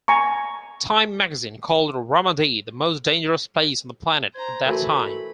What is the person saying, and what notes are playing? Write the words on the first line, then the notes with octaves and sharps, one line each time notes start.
"Time" magazine called Ramadi the most dangerous place on the planet at that time.
G#5 A#5 C#6
C5 A#5 G#6
E3 A3 F#4 A4 A#4 B5